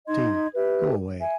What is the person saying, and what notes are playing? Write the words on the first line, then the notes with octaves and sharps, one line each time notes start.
Dean, go away.
D#4 D#5 C6 G#6
G4 B4 E5
E5 G#5